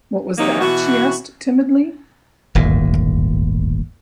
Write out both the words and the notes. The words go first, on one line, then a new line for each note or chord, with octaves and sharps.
What was that? she asked, timidly.
C3 D#3 F#3 A#3 D#4
B2 E3 F#4
D1 G1 D#2 A#2